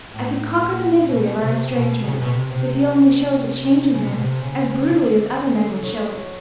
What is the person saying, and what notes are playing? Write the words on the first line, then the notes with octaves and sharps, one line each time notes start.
I could conquer the misery of our estrangement, if he only showed the change in him as brutally as other men would show it.
A2
A#2
B2
C3
B2
C#3
C3
B2
C3
C3
C#3
C3
B2
C3
C#3
D3
F#3